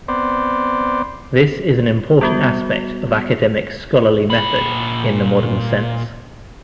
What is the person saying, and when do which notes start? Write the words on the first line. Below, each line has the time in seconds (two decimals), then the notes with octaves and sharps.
This is an important aspect of academic scholarly method in the modern sense.
0.08 B3 C4 C5 D5
2.21 G3 B3 F#4
4.30 A#2 B5